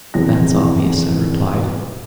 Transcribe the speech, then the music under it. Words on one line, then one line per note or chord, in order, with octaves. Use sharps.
"That's obvious," I replied.
F1 E2 A#6